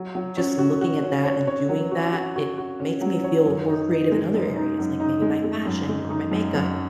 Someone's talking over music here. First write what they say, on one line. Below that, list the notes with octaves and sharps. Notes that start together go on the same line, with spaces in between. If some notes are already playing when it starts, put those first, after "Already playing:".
just looking at that and doing that, it makes me feel more creative in other areas, like maybe my fashion or my makeup,
Already playing: F#3
F#3
C#4
F#4
F#4
C#4
C#5
C#5
F#3
F#4
F#4
F#4
F#4
C#4
F#3
C#5
F#2
D#4
D#4
G#3
F#2
D#4
F#2
D#4
G#3
G#3
F#2
G#3
D#4
F#2
F#2